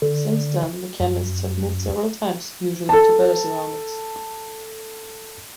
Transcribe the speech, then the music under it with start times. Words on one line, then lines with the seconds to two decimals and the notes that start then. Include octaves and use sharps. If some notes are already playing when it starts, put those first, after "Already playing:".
Since then, the chemists have moved several times, usually to better surroundings.
0.02 D3
1.00 F#2
2.89 A4 A5